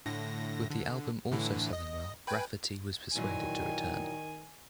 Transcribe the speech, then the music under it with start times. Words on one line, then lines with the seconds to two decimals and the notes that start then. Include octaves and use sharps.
With the album also selling well, Rafferty was persuaded to return.
0.06 A2 D3 A#6
0.69 D3
1.31 A2 D3 E3
1.73 D#5
2.27 B4 G5 G#5
3.16 A#2 D#3 E3 F#3 G#5